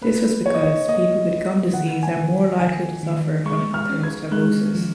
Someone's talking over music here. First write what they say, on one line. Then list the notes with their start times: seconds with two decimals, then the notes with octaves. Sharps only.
This was because people with gum disease are more likely to suffer from atherosclerosis.
0.02 A#3 B4
0.45 A#3 C#5
0.54 D#5
0.63 C#5
0.88 A#3 D#5
1.31 F4
1.73 D#3 F#5
2.03 G#5
2.16 D#3
2.59 D#3 G#5
3.03 D#3
3.45 G#3 C#6
3.74 F6
3.89 C#4
4.03 G#6
4.31 G#3 F#6
4.75 F3